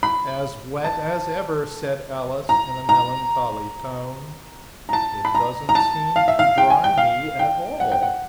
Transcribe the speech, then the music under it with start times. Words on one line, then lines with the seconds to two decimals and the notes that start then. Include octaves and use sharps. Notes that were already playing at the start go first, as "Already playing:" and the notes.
'As wet as ever,' said Alice in a melancholy tone: 'it doesn't seem to dry me at all.'
0.03 B5
0.84 A5
2.49 A#5
2.89 A#5
4.89 A#5
4.93 A5
5.25 B5
5.35 A#5
5.69 A#5
5.75 A5
6.16 F5
6.28 E5
6.39 F5
6.58 G5
6.70 G#5
6.84 G5
6.98 F5
7.39 G5
7.80 F#5
7.92 G5
8.03 F#5